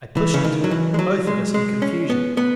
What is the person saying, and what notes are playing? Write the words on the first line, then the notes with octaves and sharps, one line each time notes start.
I pushed at her, both of us in confusion.
E3
C#3
D#3
F#3
E3
G#3
F#3
G#3
G#3
C#4
B3
B3